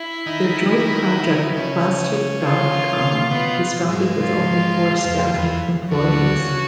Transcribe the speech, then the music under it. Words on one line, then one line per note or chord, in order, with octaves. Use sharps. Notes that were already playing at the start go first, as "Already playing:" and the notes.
Their joint project Plastic dot com was founded with only four staffed employees.
Already playing: E4
D#3 D#4
C#3 C#4
F4
B2 B3
G#2 G#3
F4
F2 F3
E2 E3
D2 D3 F#4
C#3